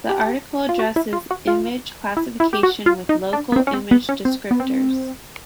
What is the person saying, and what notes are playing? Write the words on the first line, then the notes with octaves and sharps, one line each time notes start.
The article addresses image classification with local image descriptors.
G4
F4
F#4
E4
F4
F#4
F4
E4
E4
G4
F#4
F4
D#4
D4
B3
C4
C#4
C4
B3
C#4
C4
B3
C4